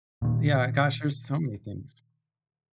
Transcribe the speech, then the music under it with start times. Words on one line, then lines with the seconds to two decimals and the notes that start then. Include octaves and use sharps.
yeah gosh, there's so many things.
0.22 A#2 D#3